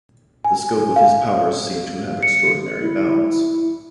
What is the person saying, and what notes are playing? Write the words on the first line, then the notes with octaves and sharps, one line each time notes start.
The scope of his powers seem to have extraordinary bounds.
G#5
F5
C#7
E4